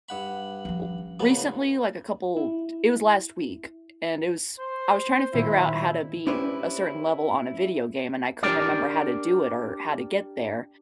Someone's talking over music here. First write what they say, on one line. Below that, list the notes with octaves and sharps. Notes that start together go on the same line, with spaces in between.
ooh recently, like a couple t it was last week, and it was I was tryna figure out how to beat a certain level on a video game and I couldn't remember how to do it or how to get there,
G2 F#5 B5
F3 C#4
A#2 C#3 B3
E4
C5
A#2 D#3 E4
C#4 E4 G4 B4 C5 D5
D4 G4 A#4 D5